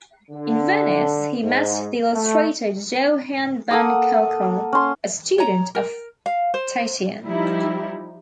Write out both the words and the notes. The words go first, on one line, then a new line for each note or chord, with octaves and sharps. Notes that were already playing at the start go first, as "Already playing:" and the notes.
In Venice, he met the illustrator Johan van Calcar, a student of Titian.
D3
G#2
A3
A#3 A4 F#5 D#6
C#4 C6
C#5 A#5
A#4
F5
C5
F3 G3 D#4 E4